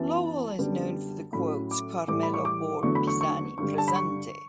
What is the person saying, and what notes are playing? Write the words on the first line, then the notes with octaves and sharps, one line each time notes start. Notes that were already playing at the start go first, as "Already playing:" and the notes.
Lowell is known for the quotes Carmelo Borg Pisani, presente!
Already playing: F#2 E3 B3 A5
F#2 D3 G3 B3
A2 F#3 C#4 B5
D6
A2 E3 G3 D6
B5
C#6
D6
E2 D3 F#3 A3 C#6
B5
C#6
C#6
G2 D3 G3 C#6
A5
B5
C#6